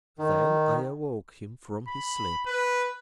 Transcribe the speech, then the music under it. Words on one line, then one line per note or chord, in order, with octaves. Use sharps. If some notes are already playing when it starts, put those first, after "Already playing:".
Then I awoke him from his sleep.
D#3
B5
B4